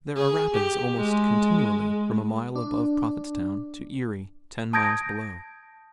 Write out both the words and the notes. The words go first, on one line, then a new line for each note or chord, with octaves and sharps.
There are rapids, almost continually, from a mile above Prophetstown to Erie, ten miles below.
G#4
G4
G#3
D4
A5 D#6 G6 G#6 A#6 D7